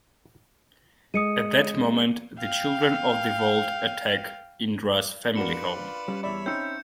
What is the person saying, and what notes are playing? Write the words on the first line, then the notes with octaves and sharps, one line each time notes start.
At that moment, The Children of the Vault attack Indra's family home.
G#3 D#6 C#7 D#7
F5 G5
D4 F4 F#4 A#4 B4 D5 C#7 E7
G3 C#4
E2 E4 C#5 D5 E5 B5
C4 C#4 D#4 E6 G6 C#7